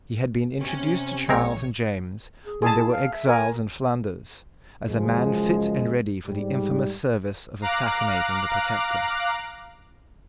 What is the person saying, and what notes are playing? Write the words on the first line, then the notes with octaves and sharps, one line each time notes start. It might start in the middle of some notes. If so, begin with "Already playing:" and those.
He had been introduced to Charles and James when they were exiles in Flanders, as a man fit and ready for the infamous service of assassinating the Protector.
C3 C#4
A#1 G#3 C4 A#4 C#5
G#4
E4 G#4 A5
F5
E5
A#4 G#5
C#2 F#2 F3 G#3
G#2 G3
F5 A#5 D6 F#6